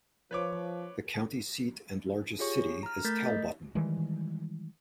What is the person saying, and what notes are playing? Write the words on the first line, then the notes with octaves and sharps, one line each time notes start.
The county seat and largest city is Talbotton.
F3 B4 C#5 D6
F4 G4 G#4 C#5 C#6
A#5 F6
A3 A#4 G6 A6 B6
D#5
D#3 E3 G3 G#3